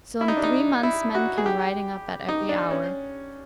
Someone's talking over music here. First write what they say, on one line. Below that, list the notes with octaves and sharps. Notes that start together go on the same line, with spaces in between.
So in three months men came riding up at every hour.
E4
D#4
D4
D#4
E4
F#4
G#4
G4
D#4
D4
C#4